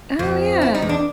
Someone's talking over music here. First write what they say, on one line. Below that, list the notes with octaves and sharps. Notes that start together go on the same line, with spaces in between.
Oh, yeah.
F2
E4
D#4
E2
D4